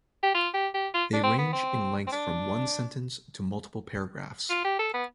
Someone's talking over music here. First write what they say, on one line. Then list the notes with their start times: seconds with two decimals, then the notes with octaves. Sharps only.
They range in length from one sentence to multiple paragraphs.
0.23 G4
0.35 F4
0.54 G4
0.74 G4
0.94 F4
1.13 D4
1.23 C4
1.38 B3
1.53 C4
2.07 C4
2.12 D4
4.50 F4
4.65 G4
4.79 A4
4.94 B3